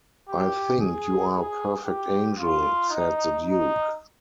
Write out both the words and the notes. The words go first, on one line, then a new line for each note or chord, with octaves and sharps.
"I think you are a perfect angel," said the Duke.
G4
G#4
G#4
G4
F4
D#4
D#4